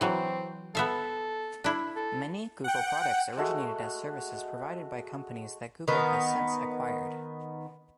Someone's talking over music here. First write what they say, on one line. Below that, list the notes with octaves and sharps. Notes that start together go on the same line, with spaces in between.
Many Google products originated as services provided by companies that Google has since acquired.
E3 F#3 C4
B3 A4 E5 F5
D4 E4
A4
F#5 G5
G#3 A3 F#4
D#3 B3